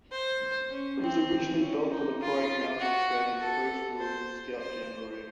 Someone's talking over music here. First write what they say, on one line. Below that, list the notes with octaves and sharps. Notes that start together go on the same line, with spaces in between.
It was originally built for the parade grounds of Australia's first World Scout Jamboree.
C5
C#4
C4
C#4
D#4
F4
F#4
A4
C5
C5